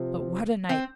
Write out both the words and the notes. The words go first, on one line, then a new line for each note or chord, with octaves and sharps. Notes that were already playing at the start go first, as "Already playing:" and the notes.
But what a night!
Already playing: C3 F3 C4
C4